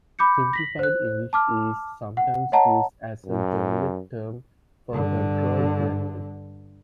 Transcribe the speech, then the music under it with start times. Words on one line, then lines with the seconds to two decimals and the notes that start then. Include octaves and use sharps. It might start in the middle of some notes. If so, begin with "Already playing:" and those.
"Simplified English" is sometimes used as a generic term for a controlled language.
0.19 B5 D6 G6 C#7
0.53 A#6 B6 F#7
0.79 C5 F#6
1.33 A5 D6 F6
2.17 F#5
2.52 C#5 D#5 F#5 A5 A#5
3.26 F#2
4.91 G2 D3